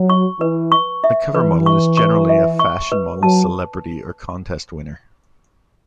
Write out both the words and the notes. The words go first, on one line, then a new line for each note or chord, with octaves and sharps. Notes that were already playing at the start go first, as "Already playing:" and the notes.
The cover model is generally a fashion model, celebrity, or contest winner.
Already playing: F#3
C#6
E3 B4
C#6
E5
E3 B4
C#6
C#6
E5
C#6
B4
F#3 A5